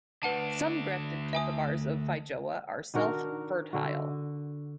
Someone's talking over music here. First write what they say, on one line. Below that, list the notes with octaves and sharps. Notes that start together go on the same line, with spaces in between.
Some grafted cultivars of feijoa are self-fertile.
D2 D4 B4 F#5 A5
E5 G#5 D#6
D#3 D4 F#4 A#4
D3 F#4